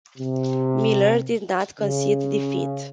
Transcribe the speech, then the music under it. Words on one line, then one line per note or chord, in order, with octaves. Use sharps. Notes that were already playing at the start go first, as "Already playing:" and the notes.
Miller did not concede defeat.
C3
C#3